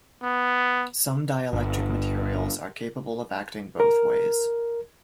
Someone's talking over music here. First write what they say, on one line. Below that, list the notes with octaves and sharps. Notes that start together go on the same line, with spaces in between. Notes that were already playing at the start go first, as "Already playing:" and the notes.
Some dielectric materials are capable of acting both ways.
B3
G1
A#4